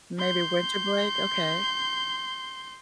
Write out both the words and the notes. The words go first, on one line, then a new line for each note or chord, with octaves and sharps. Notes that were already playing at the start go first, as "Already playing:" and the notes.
Maybe winter break, okay.
C6 G6